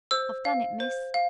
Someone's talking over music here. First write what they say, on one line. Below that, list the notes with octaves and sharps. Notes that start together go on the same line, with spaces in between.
'I've done it, miss.
C5 E6
F5
C5
F5